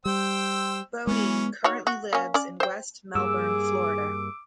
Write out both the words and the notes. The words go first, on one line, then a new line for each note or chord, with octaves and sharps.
Bodine currently lives in West Melbourne, Florida.
G3 C5 G5 E6
E3 G#3 B3 C#4
D#3 F#4 C#5
F#4
A#3 C#4
C#4 D5
C5 G5
G2 G3 A#3 G#4 D6 E6